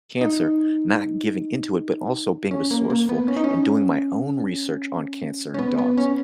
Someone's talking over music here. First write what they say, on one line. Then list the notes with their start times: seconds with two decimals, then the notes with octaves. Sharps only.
cancer, not giving into it, but also being resourceful and doing my own research on cancer in dogs,
0.21 D#4
2.51 C#4
2.71 A#3
2.90 A#3
3.09 B3
3.28 C#4
3.37 D#4
3.44 C#4
5.54 C#4
5.59 B3
5.78 B3
5.98 C#4